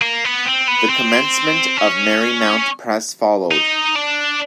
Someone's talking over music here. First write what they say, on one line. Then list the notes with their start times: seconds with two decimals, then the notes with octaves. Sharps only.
The commencement of Merrymount Press followed.
0.01 A#3
0.24 B3
0.46 C4
0.68 B3
0.89 C4
1.77 C#4
3.51 D#4
3.95 D4